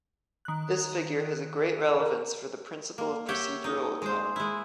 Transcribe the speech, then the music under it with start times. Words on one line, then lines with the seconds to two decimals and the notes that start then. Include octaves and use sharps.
This figure has a great relevance for the principle of procedural economy.
0.45 D#3 F#6
2.00 A#4
2.98 A#3
3.28 G4 C#5 E5 F#5 G5
3.64 D#4
4.02 G#3 C5
4.36 G#3 E4